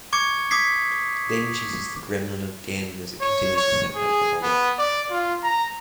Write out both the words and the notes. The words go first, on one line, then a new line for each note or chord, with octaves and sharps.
Then she sees the gremlin again as it continues to sabotage the bomber.
C#6 D6 G#6 C#7
D6 D#6 G#6 B6 C7
C#5
C#5
G#4
B3
D5
F4
A#5